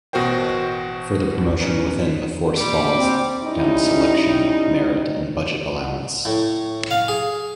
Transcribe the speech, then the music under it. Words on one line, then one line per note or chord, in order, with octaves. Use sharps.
Further promotion within the force falls down to selection, merit and budget allowance.
A1 B2 F#4 A#4 C5 G5
C#4 D#4 B4
A#2 G3 D6
C4
G3 C#4 D#4 E4
A2
F5
G#4